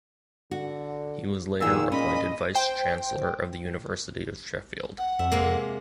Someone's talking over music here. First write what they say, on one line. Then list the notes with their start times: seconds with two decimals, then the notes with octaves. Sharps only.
He was later appointed Vice-Chancellor of the University of Sheffield.
0.51 D3 F#4
1.61 E2 A#2 D#3 F3 G#4 E6
1.92 C#4 D#5 B5
2.55 C5 G5
4.98 F#5
5.19 F2 E5
5.32 C3 G#3 A#3